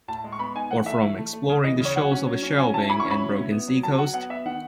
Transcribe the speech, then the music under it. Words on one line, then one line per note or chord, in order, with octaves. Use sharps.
Or from exploring the Shoals of a shelving and broken Sea Coast?
A2 A5
G#3
C#6
B3 B5
D#4 G#5
E3 F#5
A3 E5
E3
A3
A3
C#3
E3 D#5
C#3
C#5
F#3 F#5
C#4
F#3
C#4
F#3 G#5
E4 A5
E4 B5
C#6
C#4
B5
F#3
E4
B3
F#3
F#3 A5
F#3 F#5
B3 F#5
B3 E5
D#3 F#5